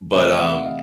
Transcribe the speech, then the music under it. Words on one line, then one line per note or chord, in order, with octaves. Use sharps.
but, um
C3 E3 A3 D5 E5
F5
E5 F#5
D#5 F5